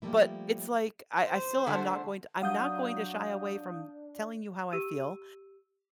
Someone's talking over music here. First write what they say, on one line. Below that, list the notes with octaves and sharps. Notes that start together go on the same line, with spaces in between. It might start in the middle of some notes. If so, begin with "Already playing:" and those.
but it's like, I I still am not going to I'm not going to shy away from telling you how I feel,
F3 G3 A3 A#3 E4
C5
D3 G#3 A3
F#3 D4 F5 F#5 D#6 G6
G4 E6 D#7